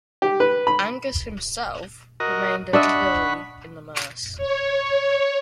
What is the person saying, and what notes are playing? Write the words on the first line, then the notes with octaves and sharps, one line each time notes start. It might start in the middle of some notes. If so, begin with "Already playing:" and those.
Angus himself remained at Billie in the Merse.
G4
B4
B5
F#4 A#4 D#5
D4 D#5 E5 F#5 B5 C#6
C#5